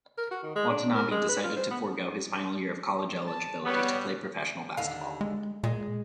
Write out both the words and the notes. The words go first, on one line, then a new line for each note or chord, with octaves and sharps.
Watanabe decided to forego his final year of college eligibility to play professional basketball.
A#4
F#4
D#3
G#3
D4
A#4
G#3
B4
F4
C5
B3
A5
G3 B3 C#5 F#5
D#2 D3 F5
G#3
A#2 G#3